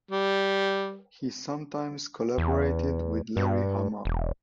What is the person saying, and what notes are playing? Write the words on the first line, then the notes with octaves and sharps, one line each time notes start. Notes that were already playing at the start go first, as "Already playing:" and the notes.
He sometimes collaborated with Larry Hama.
G3
E2
G2
E1